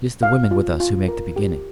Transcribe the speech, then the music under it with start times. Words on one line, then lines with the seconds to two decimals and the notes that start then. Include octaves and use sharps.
It is the women with us who make the beginning.
0.23 F4 F5
0.51 F4
0.80 F4
1.08 A#4
1.36 G4